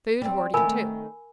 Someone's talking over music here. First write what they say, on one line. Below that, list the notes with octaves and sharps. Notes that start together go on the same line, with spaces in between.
Food hoarding, too.
G3 C4
D#3 A3 A#4 G#5 B5